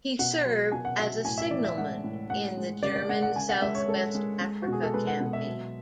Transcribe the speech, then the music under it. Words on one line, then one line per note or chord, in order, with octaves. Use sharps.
He served as a signalman in the German South-West Africa campaign.
B2 F#5
F#3
B2 G#5
F#5
F#3 E5
A2 G#5
E5
E3 D5
E5
G#3 F#5
A2
G#3 F#5
G#3
C#3 D5
D5
G#3 F#5
F#5
C#3 G#5
F#5
G#3 E5
C#5
G#3 A4
G#3
G#3
F#4
B2 G#4
A4
G#3 B4
F#5
B2
E5
F#3